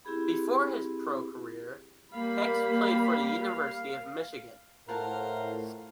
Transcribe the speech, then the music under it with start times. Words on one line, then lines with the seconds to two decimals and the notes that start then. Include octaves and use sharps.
Before his pro career, Hicks played for the University of Michigan.
0.05 C4 E4 G4 G#4 B5
2.13 G3 A#3 F5 B5
4.89 A2 F4 A#4 C5 F5 F#5 A5